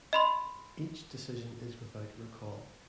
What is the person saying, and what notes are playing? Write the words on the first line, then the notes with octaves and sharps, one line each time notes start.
Each decision is without recall.
D#5 B5 C6